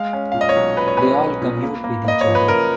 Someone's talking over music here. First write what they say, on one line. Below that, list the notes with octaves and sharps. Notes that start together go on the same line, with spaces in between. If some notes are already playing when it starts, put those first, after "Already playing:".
They all commute with each other.
Already playing: G#3 F5
C#4
A#2 F5
D#5
C#5
B1
C#4 B4
C#5
C#4 B4
B1
A#2
A#3
A#3
A#3 D#5
C#5
F3
B4
F#1 A#4